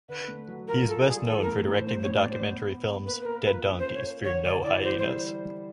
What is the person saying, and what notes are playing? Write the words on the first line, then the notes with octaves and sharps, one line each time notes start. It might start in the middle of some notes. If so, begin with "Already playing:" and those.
He is best known for directing the documentary films "Dead Donkeys Fear No Hyenas".
D3 B4
A3
F#3
F4 A#4
F4 A4
G3 G#4
A#4
E3 A4
A#4
A2
A#4
A2 C5
A2 C5
C#5
A2
D5
A2 C5
B3
B3
B3
A#3 B4
B4
A#3 A#4
F4 B4
C#4
C5
A#4
C#5
A#4
D3 C#5
D3 D5
E4 D5
E3 C5
C5
G3